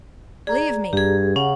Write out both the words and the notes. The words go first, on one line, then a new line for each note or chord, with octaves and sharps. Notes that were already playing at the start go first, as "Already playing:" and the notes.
Leave me!
G#4 D5 A#5
G2 G4 G#4
C#3 C#4 F#5